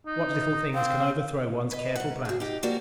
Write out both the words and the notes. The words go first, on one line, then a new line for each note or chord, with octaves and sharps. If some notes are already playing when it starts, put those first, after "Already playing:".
What little things can overthrow one's careful plans!
D#4
C4 F5
B4 D#5
G#2 F#5
F#4 G#4
D#4 G4
F3 G3 A#3 D4 F#4